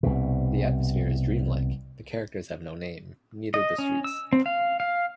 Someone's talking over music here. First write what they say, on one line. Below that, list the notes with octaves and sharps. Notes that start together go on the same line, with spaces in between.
The atmosphere is dreamlike, the characters have no name, neither the streets.
C2 B2
D#5
C#4
E6
C4
F5
F5